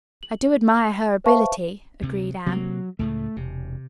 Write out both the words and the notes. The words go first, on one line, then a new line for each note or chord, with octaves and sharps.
"I do admire her ability," agreed Anne.
F#7
B4 C5 E5 F5 A5 C#6
D2 C3
C3 F#3 A3 A#3
C#2 A2 C#3 A3
E1 C3